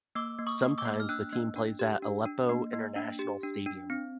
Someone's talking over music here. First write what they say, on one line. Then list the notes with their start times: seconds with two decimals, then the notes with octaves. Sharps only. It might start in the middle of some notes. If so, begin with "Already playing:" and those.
Sometimes, the team plays at Aleppo International Stadium.
0.15 A#3 D6 E6
0.39 A#3
0.47 C#6 D#6
0.63 A#3
0.78 D6 E6
0.86 A#3
1.00 F6
1.09 D4 E6 F#6
1.33 A#3
1.56 D4
1.79 G4
2.02 D4
2.25 D4
2.49 A#3
2.73 A#3
2.96 D4
3.19 G4
3.43 D4
3.66 D4
3.90 C4